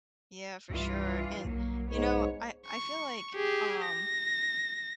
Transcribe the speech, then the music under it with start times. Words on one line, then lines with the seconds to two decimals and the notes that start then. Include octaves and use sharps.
Yeah, for sure, and, you know, I I feel like, um,
0.70 C2 G2 E3 F4
1.45 B1 F#3 A#3
1.91 G#2 B3 C#5
2.67 C#6
3.35 G4 G#4
3.85 A#6